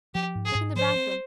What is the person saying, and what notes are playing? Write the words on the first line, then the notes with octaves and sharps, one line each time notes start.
Look in the bathroom!
F3 G4
G#2
G#4
G#2
F3 C5
C4